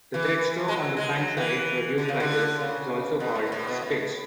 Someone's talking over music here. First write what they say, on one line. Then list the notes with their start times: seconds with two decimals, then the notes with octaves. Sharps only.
The thread stroke on the front side produced by this is also called "stitch".
0.14 E3
0.68 G#3
0.76 F#3
0.97 G#3
1.16 F#3
1.37 E3
1.98 D3
2.08 C#3
2.20 D3
2.60 C#3
3.20 B2
3.35 G#2
3.52 A2
3.67 B2
3.82 A2